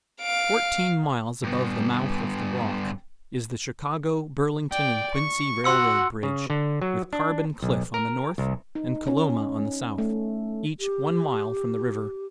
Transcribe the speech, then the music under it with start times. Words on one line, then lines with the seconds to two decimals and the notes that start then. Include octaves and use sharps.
Fourteen miles above the mouth of the Rock, is the Chicago, Burlington and Quincy railroad bridge, with Carbon Cliff on the north and Coloma on the south, each one mile from the river.
0.21 F5 D7
1.43 G2 B3
4.72 D5 G5
5.15 C#6
5.64 F#4 F#5 C6 E6 C#7
6.23 C#3
6.50 D3
6.82 F#3
7.13 D4
7.62 B1
7.94 A#4
8.38 C2
8.75 D#4
9.07 C#4
9.98 A3
10.80 G4